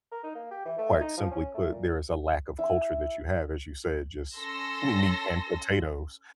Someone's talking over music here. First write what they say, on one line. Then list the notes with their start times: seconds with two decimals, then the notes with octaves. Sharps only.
quite simply put, there is a lack of culture that you have, as you said, just m meat and potatoes,
0.12 A#4
0.23 D#4
0.35 A#3
0.51 G4
0.65 E3
0.78 A3
1.01 D#4
1.17 F3
1.31 C#4
1.54 A3
1.71 A#2
2.59 E4
4.37 C#4 A4 C6 E6 A#6